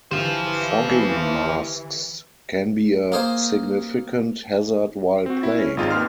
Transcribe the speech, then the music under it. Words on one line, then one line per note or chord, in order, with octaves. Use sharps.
Fogging masks can be a significant hazard while playing.
G1 D3 E3 G4 C5 F5
A#3 G#4 C5
C4 F#4
E4
C#4
G#1 D#4 F4 G#4
D#2 B3 C6 F6